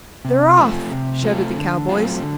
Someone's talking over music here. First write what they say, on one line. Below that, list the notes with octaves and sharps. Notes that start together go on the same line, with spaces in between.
"They're off!" shouted the cowboys.
C3
F3 A3 C4 F4
C3
F3 A3 C4 F4
D3
F#3 A3 C4 F4
D3